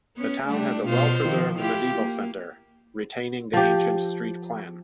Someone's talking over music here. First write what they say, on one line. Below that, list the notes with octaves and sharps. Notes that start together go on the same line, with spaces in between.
The town has a well-preserved medieval centre, retaining the ancient street plan.
B3 C#4
G3 A3 D4
B2 F4 C5
D#3 F3
E4 F4 G4
A#3
F3 G4